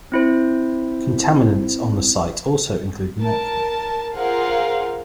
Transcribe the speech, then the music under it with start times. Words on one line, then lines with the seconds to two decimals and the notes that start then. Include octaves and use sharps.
Contaminants on the site also include mercury.
0.12 C4 E4 C5
3.19 A#4 A5
4.16 F4 G#4 A#4 C5 F5 F#5